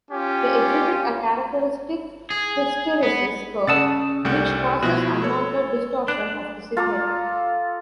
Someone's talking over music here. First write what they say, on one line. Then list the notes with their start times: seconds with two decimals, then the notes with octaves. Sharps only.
They exhibit a characteristic hysteresis curve, which causes unwanted distortion of the signal.
0.11 C#4 F4 G4
2.30 G#4
3.03 B3
3.67 C#3 F#5 A5 D#6 E6 A6
4.25 C2 G3 A3 F#5
4.82 B2 F3 E4 F#4
5.22 A4 C#5
6.08 D4 F#6
6.77 F4 A4 A#5 D6